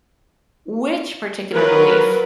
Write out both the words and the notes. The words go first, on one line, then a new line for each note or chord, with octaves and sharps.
which particular belief,
F#3 F4 A#4 B4